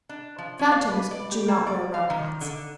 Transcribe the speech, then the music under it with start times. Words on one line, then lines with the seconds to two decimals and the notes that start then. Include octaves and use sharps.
Phantoms do not wear round hats.
0.09 D4
0.38 F3
0.59 C#4
0.72 F5
0.91 B4
1.11 D5
1.32 G4
1.48 A#3
1.67 D5
1.94 F5
2.10 D#3
2.41 D3